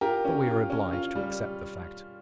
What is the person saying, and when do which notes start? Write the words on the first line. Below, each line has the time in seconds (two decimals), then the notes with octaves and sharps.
But we are obliged to accept the fact.
0.01 F4 G4 A#4
0.25 C#4
0.47 F4
0.70 C#4
0.93 F4
1.15 G3